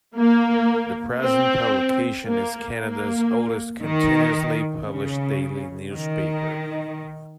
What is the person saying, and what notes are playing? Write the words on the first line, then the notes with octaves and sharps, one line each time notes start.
The present publication is Canada's oldest continuously published daily newspaper.
A#3
C4
A#3
A#3
D#3
C#3
D#3